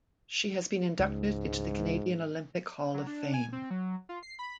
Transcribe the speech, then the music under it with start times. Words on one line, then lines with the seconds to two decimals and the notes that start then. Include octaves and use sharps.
She has been inducted into the Canadian Olympic Hall of Fame.
0.99 C#2 G#2
2.94 F#3
3.07 D4
3.34 G#5
3.53 C4
3.71 F#3
4.09 F4
4.23 C7
4.39 B5